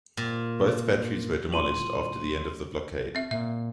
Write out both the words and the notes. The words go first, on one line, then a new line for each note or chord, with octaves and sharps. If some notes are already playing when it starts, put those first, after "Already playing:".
Both batteries were demolished after the end of the blockade.
A#2
D#1 E4 F4 C6 D#7 F#7
C4 E5
A#2 E5